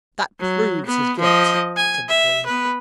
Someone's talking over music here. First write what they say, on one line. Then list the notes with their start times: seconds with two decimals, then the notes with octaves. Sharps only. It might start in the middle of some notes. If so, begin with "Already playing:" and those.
'That PROVES his guilt,' said the Queen.
0.40 F#3
0.86 B3
1.19 F3 D#5
1.76 G#5
2.09 E5
2.46 B3 B4